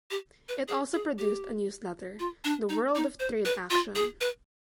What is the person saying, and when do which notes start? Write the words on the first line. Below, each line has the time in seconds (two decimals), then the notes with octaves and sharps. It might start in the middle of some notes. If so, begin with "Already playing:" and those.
It also produced a newsletter, "The World of Trade Action".
0.11 G4
0.49 B4
0.68 G#4
0.94 G#4
1.18 G4
2.19 F4
2.45 D4
2.69 D#4
2.95 D#4
3.20 C5
3.45 B4
3.71 F4
3.95 G#4
4.21 B4